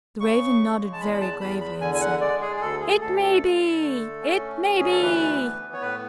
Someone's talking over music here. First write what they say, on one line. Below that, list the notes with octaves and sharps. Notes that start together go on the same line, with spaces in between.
The Raven nodded very gravely, and said, "It may be--it may be!"
C#3 C#6
G#3
A5
E2 B5
B5
A5
E2 B5
B5
D3 G#5
G#5
F#5
G#3 D5
G#4
G#4
D2 A4
G#4
D2 A4
A4
D3
A3
C#4
D2
G#4
A4
E3 B4
B3
C#5
A2 B4